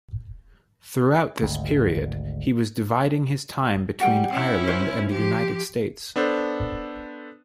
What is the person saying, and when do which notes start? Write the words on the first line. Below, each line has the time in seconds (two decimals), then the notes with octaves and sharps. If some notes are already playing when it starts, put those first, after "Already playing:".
Throughout this period, he was dividing his time between Ireland and the United States.
1.42 G#1 D2
4.00 G3 F#4 F#5 G5
4.31 C#4 E4
4.67 F#4 A#4 C5
5.10 F3 G4
6.16 B3 D4 A4 C5